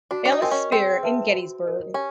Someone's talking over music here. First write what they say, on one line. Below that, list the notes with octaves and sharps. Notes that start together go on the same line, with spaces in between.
Ellis Spear in Gettysburg.
D4 F#4
D4
D#4
C4 A#4 D#5 G#5
C#4
C4 G#4
B4 E5 A5
F#4
A#4 D#5
C#4 G4